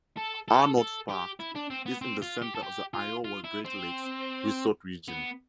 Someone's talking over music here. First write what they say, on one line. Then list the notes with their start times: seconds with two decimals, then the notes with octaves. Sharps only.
Arnolds Park is in the center of the Iowa Great Lakes resort region.
0.17 A4
0.48 A4
0.78 A4
1.09 G4
1.39 E4
1.55 D4
1.70 C4
1.86 B3
2.01 C4
2.22 F4
2.42 G4
2.55 A4
2.63 G4
2.94 F4
3.25 F4
3.44 E4
3.65 C4
5.08 B3